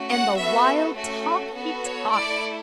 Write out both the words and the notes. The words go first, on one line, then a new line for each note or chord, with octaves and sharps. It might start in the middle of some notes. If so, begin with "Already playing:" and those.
And the wild talk he talked!
Already playing: A3 C#4 F#4
F#5
B3 F#4 A4 E5
A3 C#4 F#4 A4
B3 F#4 A4
C#5
A3 E4 A4 D5